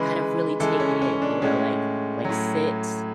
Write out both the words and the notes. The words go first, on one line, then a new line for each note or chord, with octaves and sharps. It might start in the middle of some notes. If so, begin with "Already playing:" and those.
kind of really take it in, you know, like like sit,
Already playing: C#3 E3 G#3 B4
C#3 E3 G#3 A4
C#4
C#4
D4
A2 G#3 C#4
A2 F#3